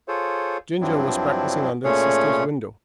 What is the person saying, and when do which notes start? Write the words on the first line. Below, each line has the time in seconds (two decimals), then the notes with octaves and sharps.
Ginger was practising under his sister's window.
0.08 F4 G#4 A4 C5 C#5
0.81 G2 F3 F#3 C4 D4 E4
1.84 A#2 A3 C#4 G#4 C#5